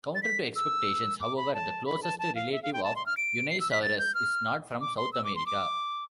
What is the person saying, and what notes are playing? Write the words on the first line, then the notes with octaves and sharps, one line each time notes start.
Counter to expectations, however, the closest relative of "Unaysaurus" is not from South America.
A6
B6
E6
D6
B5
A5
B5
A5
A5
F5
E5
F5
G5
A5
C6
F6
D7
C7
E6
B6
A6
G6
F6
D6
C6
E6
D6
C6
D6